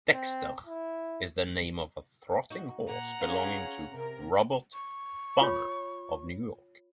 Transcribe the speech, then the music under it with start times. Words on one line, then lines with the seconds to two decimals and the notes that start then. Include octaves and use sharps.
Dexter is named for a trotting horse belonging to Robert Bonner of New York.
0.14 C4
0.67 E4
2.50 D#4 F#4
2.89 A#2 F#5 A#5
3.21 C#4 F4 G#4
3.90 C3 A#4
4.74 C#6
5.41 F4 C#5 B5